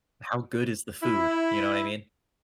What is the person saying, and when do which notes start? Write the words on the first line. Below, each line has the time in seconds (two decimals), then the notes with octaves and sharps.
How good is the food? You know what I mean?
1.03 E4